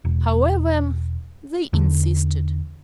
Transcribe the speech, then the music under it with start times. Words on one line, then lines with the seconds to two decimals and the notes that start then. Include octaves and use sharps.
However, they insisted.
0.05 E1
1.73 E2 D3